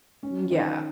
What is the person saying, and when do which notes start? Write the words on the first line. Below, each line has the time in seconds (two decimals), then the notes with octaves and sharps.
Mm, yeah.
0.23 C#4
0.50 D#3